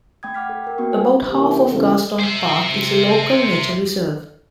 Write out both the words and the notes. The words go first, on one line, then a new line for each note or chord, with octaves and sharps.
About half of Garston Park is a Local Nature Reserve.
A3 G5 D#6 G#6
F#5 D6 F6 B6
A4
A#4 G5
A#3 B3 F#4 G5 C#6
A#4 B4 C#5 G#5
C3 E3 A#3 G4
E2 C#3 C#4 G4 A4
C5 E5